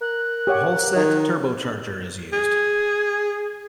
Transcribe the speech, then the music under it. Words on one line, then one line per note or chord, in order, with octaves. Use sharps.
A Holset turbocharger is used.
A#4 F#6
G4 C#5 F#5
D#3 D#5
G#4